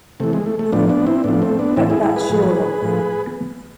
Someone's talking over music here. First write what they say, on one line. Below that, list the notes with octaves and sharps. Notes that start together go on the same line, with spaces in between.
Put that shawl on me.
C3 E3 A3
G#3
A3
A3
A2 F3 B3 D4
B3 D4
C4 E4
A2 F3 B3 D4
A3 C4
B3 D4
A2 E3 C4 E4
E4 G#4
E4 G#4
G#4 B4
A2 F3
A2 F3